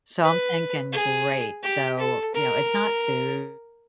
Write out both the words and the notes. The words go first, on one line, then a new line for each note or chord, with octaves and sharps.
So I'm thinking great, so, you know, it's not food,
B4
G#4
G4
A4
A#4